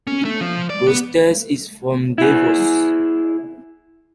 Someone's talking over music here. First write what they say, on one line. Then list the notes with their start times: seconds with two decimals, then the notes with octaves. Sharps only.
Klosters is from Davos.
0.07 C#4
0.25 A3
0.41 F3
0.70 D5
0.88 B3
2.18 E4 G#4